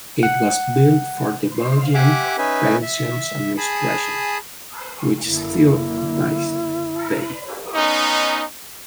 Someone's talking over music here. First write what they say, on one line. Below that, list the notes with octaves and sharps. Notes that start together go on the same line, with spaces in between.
It was built for the Belgian Pensions Administration, which still occupies it today.
F#5
G4 E5 F#5 G#5 D6
C#4 D#4 B4 E5 G#5
E5
G#4 G#5 A5 B5 D#6
F#1 D3 A#3 E4
B3 C#4 D#4